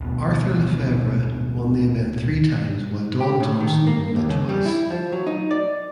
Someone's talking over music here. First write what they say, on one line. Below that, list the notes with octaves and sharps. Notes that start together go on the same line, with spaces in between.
Arthur Le Fevre won the event three times while Don Thomson won it twice.
D1 B2
G4
A2
D#3
A#3
D#2
C#3
G3
E4
F3
F#3
D#4
D5